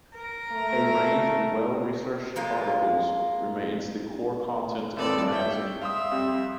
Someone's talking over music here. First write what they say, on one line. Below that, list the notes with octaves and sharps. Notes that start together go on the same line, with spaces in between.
A range of well-researched articles remains the core content of the magazine.
A#4
A3
F3 G#3 A#3 F4
G#1 F2 A4 B4 D5
C#5 E5 G5
E5 F5 C6 D#6
F2 G3 F5